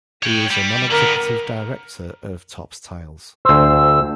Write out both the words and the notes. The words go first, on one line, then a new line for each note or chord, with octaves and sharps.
He is a non-executive Director of Topps Tiles.
C#5 G5
G3
D3 B3 A#4
D2 C5 E6